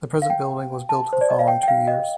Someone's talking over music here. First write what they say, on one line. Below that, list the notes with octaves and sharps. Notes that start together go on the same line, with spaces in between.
The present building was built in the following two years.
F5
G5
A5
C5
D5
D#5
F5
G5
G5
F5
D#5